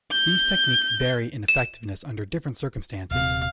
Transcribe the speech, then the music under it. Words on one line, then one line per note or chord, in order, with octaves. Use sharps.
These techniques vary in effectiveness under different circumstances.
G6
E7
D#1 C3 F5